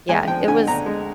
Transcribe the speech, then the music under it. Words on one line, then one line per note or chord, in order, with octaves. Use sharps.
Yeah, it was
G#3 G#5
F3 G5
D3 G#5
D2 A#5
G#3